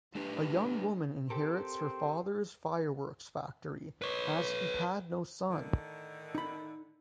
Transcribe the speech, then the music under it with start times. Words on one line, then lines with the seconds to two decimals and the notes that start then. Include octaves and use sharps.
A young woman inherits her father's fireworks factory, as he had no son.
0.15 A3 D4 G4 B4
1.30 C4 G4 A4 A#4 C6
4.02 B4 C#5
5.50 A2 D3 D#3
6.35 D#4 B5